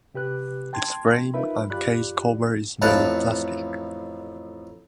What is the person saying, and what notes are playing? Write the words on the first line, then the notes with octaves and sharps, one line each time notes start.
Its frame and case cover is made of plastic.
C3 G4 B4 F#6
G5 A5 C6 G#6
D#4 F4 A#4 B4 E5 B5
F#2 F4 G4 D5 B5 F#6
A1 F2 B4 F5 F#5 A5